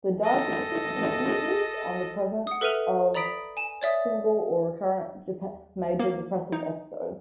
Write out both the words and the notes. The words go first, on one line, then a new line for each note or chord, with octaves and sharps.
The diagnosis hinges on the presence of single or recurrent major depressive episodes.
A4 D#5
F#5 D#6
A4 B4 E5 F6 D#7 F7
D5 A#5 B5 D#6 B6 D7
G#5 E7
C#5 D5 E5 D#6
A#3
D#4